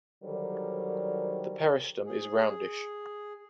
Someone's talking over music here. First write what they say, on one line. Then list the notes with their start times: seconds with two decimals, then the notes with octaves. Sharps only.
The peristome is roundish.
0.23 D3 D#3 F#3 G3 A#4 C5
2.06 G#4